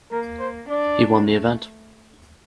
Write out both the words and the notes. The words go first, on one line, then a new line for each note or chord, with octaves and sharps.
He won the event.
A#3 A#4
C5
D4 D5
A3